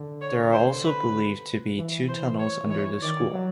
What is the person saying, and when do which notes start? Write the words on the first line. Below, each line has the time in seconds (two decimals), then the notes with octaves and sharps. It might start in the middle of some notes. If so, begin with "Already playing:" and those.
There are also believed to be two tunnels under the school.
Already playing: D3
0.21 C#5
0.52 C5
0.84 B4
1.77 E3
2.08 C5
2.39 C#5
2.65 D#3
2.70 E3 C#5
3.02 D#3 D5
3.33 F#3